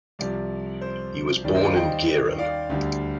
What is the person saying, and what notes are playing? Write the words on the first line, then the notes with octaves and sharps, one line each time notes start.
He was born in Gehren.
C2 C3 F3 D5
C5
D#2 D#3 G3 D5
C5 D#5
D5 F5
D#5 G5
D5 F5
D2 D3 G3